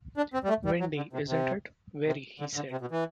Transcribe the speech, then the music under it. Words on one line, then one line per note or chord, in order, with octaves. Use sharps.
Windy, isn’t it?’ ‘Very,’ he said.
D4
C4
G3
A3
G3
F#3
D3
C3
C3
C3
D3
D3
C3
B2
E3